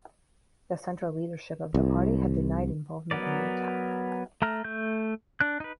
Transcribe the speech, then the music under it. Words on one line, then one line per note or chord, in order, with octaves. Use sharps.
The central leadership of the party had denied involvement in the attack.
C2
F#3 B3 A#4 D5
A3 A#5 F6
A3 G6
D4 F#6
D#4 B4